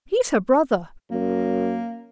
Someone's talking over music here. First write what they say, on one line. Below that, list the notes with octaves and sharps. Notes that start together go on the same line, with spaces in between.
He's her brother.
F#2 A#3